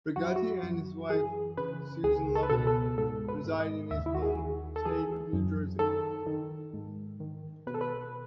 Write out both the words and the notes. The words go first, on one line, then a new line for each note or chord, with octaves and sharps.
Brigati and his wife, Susan Lovell, reside in his home state of New Jersey.
F#2 F#4
E4
F#4
F#2
E3 G#4
C#3 B4
C#2 G#4
A4
B4
B2 A4
A4
G#2 A4
B4
G#2
D#5
D#2 E5
E4
F#4
G#4
D#3
A4
E3 G#4
F#2
D#3 A4
D#3
G#2
D#3
B2 B4
A4
B4